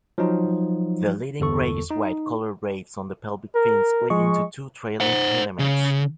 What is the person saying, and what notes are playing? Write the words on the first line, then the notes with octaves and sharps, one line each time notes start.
The leading greyish-white coloured rays on the pelvic fins split into two trailing filaments.
F3 F#3 D#4
G1 E2 A4 C#6
D#4
A#4
F3 G#3 D#5 C#6
C5 F#5
C#3